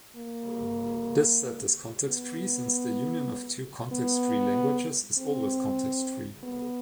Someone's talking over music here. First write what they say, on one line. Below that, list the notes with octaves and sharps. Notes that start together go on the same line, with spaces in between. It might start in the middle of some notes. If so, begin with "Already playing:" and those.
This set is context-free, since the union of two context-free languages is always context-free.
A#3
B3
B3
C4
B3